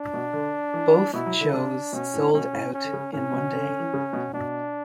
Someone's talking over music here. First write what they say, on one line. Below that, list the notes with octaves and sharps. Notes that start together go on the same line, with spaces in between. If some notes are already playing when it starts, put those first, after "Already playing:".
Both shows sold out in one day.
Already playing: D4
B2
D3
E3
E3
B2 E4
F#3
D3
C#3 D4
B2 C#4
A2
B2 C#4
A2
C#4
D3
C#3
A2 C#4
B2
D3
D3
E3
C#3
B2
B2 D4